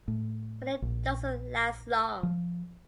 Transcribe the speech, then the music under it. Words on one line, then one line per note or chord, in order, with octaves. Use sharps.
But it doesn't last long.
A2
A#1
F3